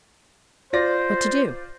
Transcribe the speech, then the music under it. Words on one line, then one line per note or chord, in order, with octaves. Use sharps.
"What to do?"
F4 C5 D5 A#6